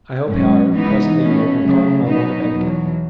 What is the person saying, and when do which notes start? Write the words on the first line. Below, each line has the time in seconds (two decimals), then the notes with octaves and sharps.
I hope, however, presently you will pardon my want of etiquette.
0.28 G#2 F#3 C#4
0.74 G#2 E3 B3 D#4
1.18 B2 A3 C#4
1.63 C#3 F#3 A3
2.07 B2 F#3 B3 D#4
2.51 E2 B2 F#3